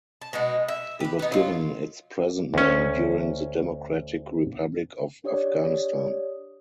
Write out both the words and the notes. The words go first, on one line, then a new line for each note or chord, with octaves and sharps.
It was given its present name during the Democratic Republic of Afghanistan.
A5
B2 G#3 D#4 F#4
E5
G4 B4
B3 D#4
F#3 F4
D2 C#4
D4 G4 C#5 D5 D#6